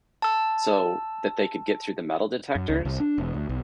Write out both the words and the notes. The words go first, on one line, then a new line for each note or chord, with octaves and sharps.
so that they could get through the metal detectors,
A5 E6
F#2
C#2
C2
D4
E1
D2
B1